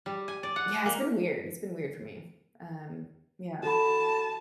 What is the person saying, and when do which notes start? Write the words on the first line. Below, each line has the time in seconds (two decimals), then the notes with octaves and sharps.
yeah, it's been weird it's been weird for me, um, yeah.
0.06 G3
0.28 G#5
0.43 D5
0.56 F#5
0.86 A#3
3.63 F#4 A4 A5 B5